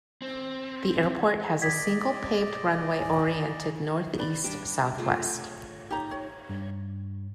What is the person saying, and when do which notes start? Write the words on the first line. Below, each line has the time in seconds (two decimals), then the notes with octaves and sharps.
The airport has a single, paved runway oriented northeast-southwest.
0.22 C4
1.62 D5 D#5 G5 G#6 B6
3.00 G#5
4.18 B4 D5 B5
4.44 G3 D4
4.98 A3 F4 G#4
5.91 D#4 G4 A#5
6.11 C#5
6.49 G2